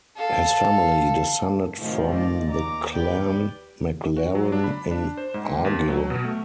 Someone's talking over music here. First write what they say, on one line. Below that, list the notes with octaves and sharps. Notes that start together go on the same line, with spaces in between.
His family descended from the Clan MacLaren in Argyll.
A4 F5
A2 C3 D#3 F3 F#3 G#3
D5 D#5
D#2 A#5 D6
G4 B4 D5 G5
F#4
F#3
D4
B5
D4
C5
G#2
D#2
F#3
B2
A3